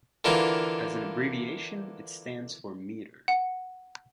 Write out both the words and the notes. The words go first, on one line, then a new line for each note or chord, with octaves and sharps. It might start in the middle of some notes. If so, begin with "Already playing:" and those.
As an abbreviation, it stands for metre.
D3 E3 A#3 F4
F#5